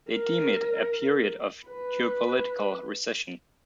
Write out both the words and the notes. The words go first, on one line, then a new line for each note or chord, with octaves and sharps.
They deem it "a period of geopolitical recession".
A#4
B4